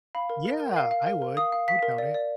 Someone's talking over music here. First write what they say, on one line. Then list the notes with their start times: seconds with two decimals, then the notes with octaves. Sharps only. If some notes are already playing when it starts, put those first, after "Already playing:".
Yeah, I would, I would count it.
0.15 F5 B5
0.30 A#4
0.46 A#4
0.60 A#4
0.76 F5
0.91 F5
1.07 A#4
1.22 A#4
1.37 F5 D#6
1.52 F5
1.68 F5 B6
1.83 A#4
1.98 D5
2.14 D5